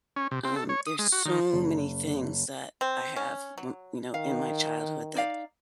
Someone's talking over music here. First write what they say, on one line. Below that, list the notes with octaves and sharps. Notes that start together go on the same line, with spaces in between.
um, there's so many things that I have r you know, in my childhood that
C#4
C3
C4
A4
C#5
D#6
G#3
F#4
D#3
F#1
C4
C#4
F#3
D#3 F5
D#4 D5 F5